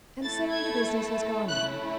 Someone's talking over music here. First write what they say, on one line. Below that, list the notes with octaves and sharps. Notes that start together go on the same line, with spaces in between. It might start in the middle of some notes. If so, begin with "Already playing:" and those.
And so the business has gone on.
A3 E4 A4 A6
G#6
A3 C#4 E4 F#6